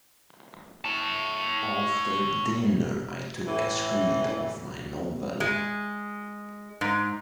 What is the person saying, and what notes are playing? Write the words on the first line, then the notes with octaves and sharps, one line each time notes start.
After dinner I took a screed of my novel.
C#5 A5
A2 E3
G#3
G#2